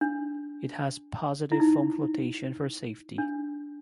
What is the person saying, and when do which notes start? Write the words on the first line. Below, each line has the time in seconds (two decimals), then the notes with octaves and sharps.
It has positive foam flotation for safety.
0.01 D4
1.52 E4
1.60 D#4
3.18 D4